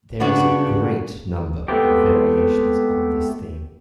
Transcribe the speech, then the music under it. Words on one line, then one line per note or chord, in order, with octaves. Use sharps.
There are a great number of variations on this theme.
C#3 B3 D4 F#4
G#3 A3 B3 C4 G4